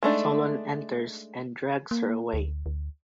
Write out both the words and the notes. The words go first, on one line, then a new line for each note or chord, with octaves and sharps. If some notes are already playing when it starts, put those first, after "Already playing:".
Solon enters and drags her away.
G#3 A3 D4 D#4
A#3
D2
D2